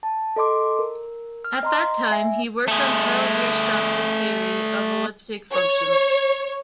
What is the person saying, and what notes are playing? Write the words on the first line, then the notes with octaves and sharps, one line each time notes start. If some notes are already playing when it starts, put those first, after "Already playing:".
At that time he worked on Karl Weierstrass's theory of elliptic functions.
A5
A4 D#5 C6 D6
A#4
F6
D#5 A#5 C6
E5 G#5 C7
A3 G#4
C#5